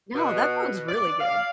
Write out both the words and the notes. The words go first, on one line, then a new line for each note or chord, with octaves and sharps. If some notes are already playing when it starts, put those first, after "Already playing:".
No, that sounds really good.
B2
D5
F5